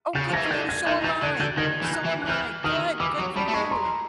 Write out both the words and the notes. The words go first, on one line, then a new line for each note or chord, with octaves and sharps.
Oh, good for you! So am I! So am I, good! Good for you!
C#3 G6 A6
F3
E3 G#6 A#6
D#3
D3 G6 A6
G#6 A#6
D#3 G6 A6
E3 G6 A6
D3 F#6 G#6
D3 G6 A6
D#3 G#6 A#6
E3
G6
F#6 G#6
E3
F#6
E3 F6 G6
D#3 D#6 F6
E3 D6 E6
F#3 C#6 D#6
G3 A5 B5
A3
G#3 B5 C#6
A#5 C6